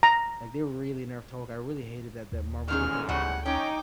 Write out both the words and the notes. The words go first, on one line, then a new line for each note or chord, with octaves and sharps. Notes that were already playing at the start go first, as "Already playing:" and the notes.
Like, they were really nerf talk, I really hated that that Marvel did that.
A#5
D#2
A1 E2 G#2 D3 D#3 C#4 G#4 F6
D2 A2 C#3 G3 F#5
C#4 D#4 G5 D6